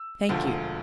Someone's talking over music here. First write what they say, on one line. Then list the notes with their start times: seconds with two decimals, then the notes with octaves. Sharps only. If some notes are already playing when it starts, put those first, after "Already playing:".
Thank you.
Already playing: E6
0.29 E1 D2 D3 F3